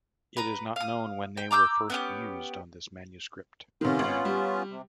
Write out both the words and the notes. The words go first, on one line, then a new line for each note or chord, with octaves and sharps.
It is not known when they were first used on this manuscript.
B4 A#5
F5 D#6
G5
A#5 D6 E6 G6
B3 C#4 G4
C3 D#3 B3 C#4 F4
G#1
G3
C3